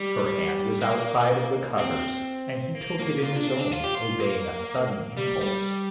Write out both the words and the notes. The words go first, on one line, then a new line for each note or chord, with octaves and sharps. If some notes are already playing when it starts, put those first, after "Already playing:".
Her hand was outside of the covers and he took it in his own, obeying a sudden impulse.
Already playing: G3
A#3
C4
A#3
A#3
F4
D4
C4
D4
F4
G4
F4
A#3
G3
G3